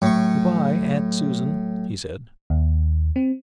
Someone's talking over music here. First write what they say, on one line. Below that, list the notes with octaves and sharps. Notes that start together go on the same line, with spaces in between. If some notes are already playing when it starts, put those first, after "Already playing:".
"Good-bye, Aunt Susan," he said.
A2 F#3 C#6
D#2
C4